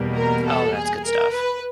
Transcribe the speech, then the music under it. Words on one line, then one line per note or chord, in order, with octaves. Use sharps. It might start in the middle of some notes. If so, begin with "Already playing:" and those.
Oh, that's good stuff.
Already playing: E2 B2 G3 A#3
A#4
A4
G#4
A#4
B4